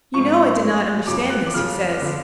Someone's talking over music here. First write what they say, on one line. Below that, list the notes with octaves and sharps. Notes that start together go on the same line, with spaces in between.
"You know I did not understand this," he says.
G#2 F3 C#6
A2 F3
F#2 C#3 F3 D6
F#6
D6
F2 C#3 F3 F6
D3 F3